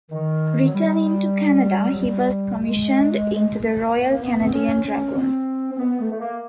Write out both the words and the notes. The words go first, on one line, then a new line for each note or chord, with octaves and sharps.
Returning to Canada he was commissioned into the Royal Canadian Dragoons.
D#3
F#3
G3
F#3
G3
G#3
A#3
A#3
B3
C4
C#4
C#4
C4
C4
B3
A3
A3
A#3